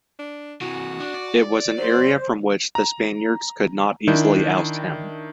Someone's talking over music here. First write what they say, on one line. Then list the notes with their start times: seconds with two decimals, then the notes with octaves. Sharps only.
It was an area from which the Spaniards could not easily oust him.
0.19 D4
0.61 C3 E3 F#4
1.00 D4
1.14 D5
1.78 F#3 C5
2.75 A#5
4.07 D#3 D4 E4 G6